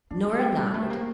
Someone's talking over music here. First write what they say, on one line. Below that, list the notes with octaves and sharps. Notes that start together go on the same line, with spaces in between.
Nora nodded.
A#3 D4
G4 C5 G5
A3
G3 D4
A3
G4 C5 G5
A#3